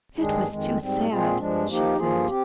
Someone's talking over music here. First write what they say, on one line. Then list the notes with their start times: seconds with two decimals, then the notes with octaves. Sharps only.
"It was too sad," she said.
0.18 G2 D#3 G#3 D4 G#4
0.48 F2 D#3 G#3
0.77 G#2 G3 C4
1.08 A#2 G#3 C4 F4 G#4
1.37 G2 F3 G#3 D4
1.67 F3 A#3 D#4 G4
1.97 G2 F3 A#3 F4 G#4
2.27 C4 G4